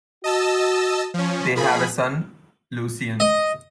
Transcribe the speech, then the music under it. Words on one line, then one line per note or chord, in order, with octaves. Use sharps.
They have a son, Lucien.
F#4 D#5 A5 E6
F3 C#4
F3 A#3 G#4 B5
D#5